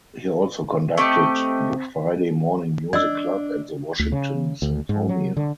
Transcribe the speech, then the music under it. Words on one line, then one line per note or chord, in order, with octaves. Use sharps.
He also conducted the Friday Morning Music Club and the Washington Sinfonia.
A3 C4 G4 D#5
D4 D5 D#5 E6
D2
C#3
D2
G#2
F#3
D3